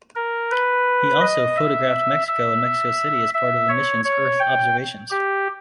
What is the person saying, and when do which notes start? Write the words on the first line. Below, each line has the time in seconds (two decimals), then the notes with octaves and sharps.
He also photographed Mexico and Mexico City as part of the mission's Earth observations.
0.16 A#4
0.51 B4
1.21 D#5
1.57 E5
2.28 E5
3.34 E5
3.69 C#5
4.05 C#5
4.40 G5
5.11 G4